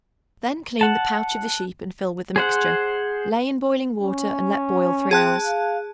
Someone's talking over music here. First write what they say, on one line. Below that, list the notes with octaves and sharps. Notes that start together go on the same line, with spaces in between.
Then clean the pouch of the sheep and fill with the mixture. Lay in boiling water and let boil three hours.
F#5 A5
G#4 C5 F#5
C#4
C4 G#4 A5 F#6
F5